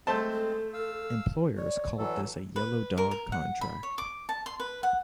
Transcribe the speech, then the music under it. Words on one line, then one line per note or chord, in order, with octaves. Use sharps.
Employers called this a yellow-dog contract.
G#3 A3 C4 A4 C5 A5
A4
F5 E6
C#5 D5
E3 F#3 A4
B4
A#4
A#4
F#5
B5
C#5
D6
A5
C6
B4
F#5